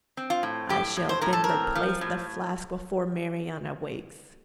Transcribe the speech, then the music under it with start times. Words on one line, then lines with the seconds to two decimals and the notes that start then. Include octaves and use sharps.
I shall then replace the flask before Marianna wakes.
0.17 C4
0.30 F4
0.43 A2
0.69 A2 G4
0.97 A2
1.09 C5
1.21 A2 A#4
1.33 A4
1.44 C4 A#4
1.75 F3
2.01 A2